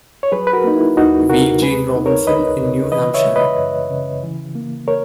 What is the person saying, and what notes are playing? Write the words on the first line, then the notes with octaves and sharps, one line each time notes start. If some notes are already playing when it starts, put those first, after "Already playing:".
V. Gene Robinson in New Hampshire.
C#5
F#3 G#4 B4
B4
F#4 A#4
A#3 D#4
E4
D#2 D#4 F#4
C#3 F#4 A#4
G#3 G#4 B4
D#4
A#4 C#5
C#2 B4 D#5
C#3
E3 B4 D#5
C#5 E5
G#3
B4 D#5
F#2
C#3
E3
A#3
A#4 C#5